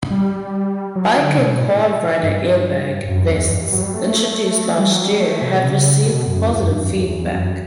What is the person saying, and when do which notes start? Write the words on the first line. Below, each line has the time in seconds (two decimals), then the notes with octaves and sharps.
Bike and quad rider airbag vests introduced last year have received positive feedback.
0.11 G3
0.96 F#3
1.17 D3
1.38 B2
1.59 A2
2.23 G2
3.09 F#2
3.30 E2
3.51 G2
3.61 G2
3.72 F#3
3.83 G3
3.94 A3
4.78 G3
4.92 F#3
5.05 G3
5.20 A3
5.42 B2
5.63 C#3
6.06 B2
6.27 F#2
6.48 E2
6.59 F#2
6.70 G2
6.80 F#2
6.91 E2
7.05 E2
7.19 E2
7.33 F#2